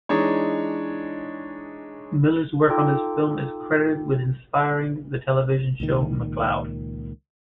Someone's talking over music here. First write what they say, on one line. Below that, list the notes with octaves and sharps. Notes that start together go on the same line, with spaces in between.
Miller's work on this film is credited with inspiring the television show McCloud.
E3 G#3 D4 D#4 C#5
D#4 F4 A4 G5 D6
C#2 A#2 D#3